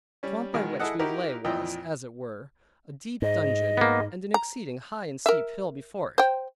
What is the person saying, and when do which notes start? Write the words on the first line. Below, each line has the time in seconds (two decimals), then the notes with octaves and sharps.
The swamp by which we lay was, as it were, a deep dungeon, and an exceeding high and steep hill before it.
0.23 G3 C#4
0.54 B2 D#3 G#3
0.80 E4 G#4 A4 D#5 F#5
0.99 D#4 E4 F#4 G4 A#4
1.45 F2 A#2 E3 D#5 G5
3.22 G#2 D#5
3.77 A#3 B3
4.34 A#5
5.26 A#4 E5
6.18 C5 G5